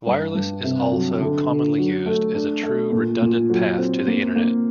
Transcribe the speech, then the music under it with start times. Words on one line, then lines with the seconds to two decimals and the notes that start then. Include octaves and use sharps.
Wireless is also commonly used as a true redundant path to the Internet.
0.06 G2
0.35 G2
0.64 C3
0.91 F#3
1.21 D3
1.49 D3
1.78 F#3
2.06 A3
2.35 D4
2.63 A3
2.92 A#2
3.22 A#2
3.50 F#3
3.78 C4
4.07 A#3
4.36 A#3